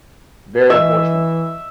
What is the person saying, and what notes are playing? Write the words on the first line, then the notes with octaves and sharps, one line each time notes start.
Very unfortunate.
E3 E5